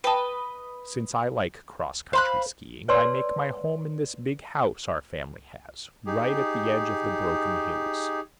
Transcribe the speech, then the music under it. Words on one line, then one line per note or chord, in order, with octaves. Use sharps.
Since I like cross-country skiing I make my home in this big house our family has, right at the edge of the Broken Hills.
B4 D#5 G5 A5
C5 F5 B5 F#6
B4 C#5 D5 A5 C6 E6
D#4 G4 G#4